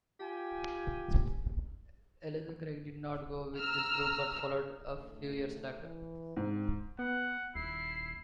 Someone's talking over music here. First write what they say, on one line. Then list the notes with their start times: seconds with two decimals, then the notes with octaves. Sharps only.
Elijah Craig did not go with this group but followed a few years later.
0.20 F4 G4 G5 G#5
3.58 A#5 E6 F6
5.00 A2 D3 A3
5.80 E3
6.37 G#2 D3 C4
6.99 B3 F#5
7.55 D#1 E4 C7